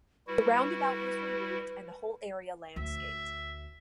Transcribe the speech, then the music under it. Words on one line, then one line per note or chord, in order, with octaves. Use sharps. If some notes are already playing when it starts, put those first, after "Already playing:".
The roundabout was removed and the whole area landscaped.
G3 E4 F#4 B4
D2 E5